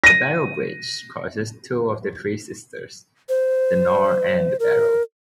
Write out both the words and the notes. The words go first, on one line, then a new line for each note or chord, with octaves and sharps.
The Barrow Bridge crosses two of the Three Sisters, the Nore and the Barrow.
A#6 D#7
C5
A#4